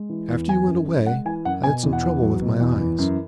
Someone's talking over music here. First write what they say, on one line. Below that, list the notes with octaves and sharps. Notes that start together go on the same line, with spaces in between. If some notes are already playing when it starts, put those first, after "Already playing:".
After you went away I had some trouble with my eyes.
Already playing: G#3
E3
E2
E3 G#5
F#2
F#2
G#3 F#5
E3 G#5
F#2 F#5
B2 G#5
E2
F#5
E2
F#3
B2
E2
E3
F#2